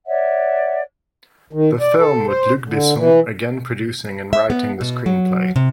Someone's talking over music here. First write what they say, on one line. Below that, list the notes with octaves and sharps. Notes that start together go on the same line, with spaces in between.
The film with Luc Besson again producing and writing the screenplay.
C#5 D5 E5 F#5
D#3
D5
A4
C5
D3
E3
E5
B3
B2
F#3
C3